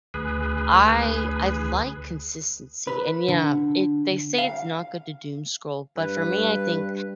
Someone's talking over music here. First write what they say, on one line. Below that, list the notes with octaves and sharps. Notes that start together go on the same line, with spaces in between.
I I like consistency. And, yeah, it they say it's not good to doom scroll. But for me, I think
D2 G#4 B4
B4
D3
F5
G2 B4